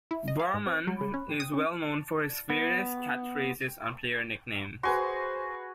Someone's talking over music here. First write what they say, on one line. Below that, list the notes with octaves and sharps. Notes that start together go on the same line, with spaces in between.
Berman is well known for his various catchphrases and player nicknames.
E4
D#5
F5
G#2
C4
F#3
C#3
C#4
A#1
D#6
C#4
B3
F#4 G#4 B4 C5 G#5 C6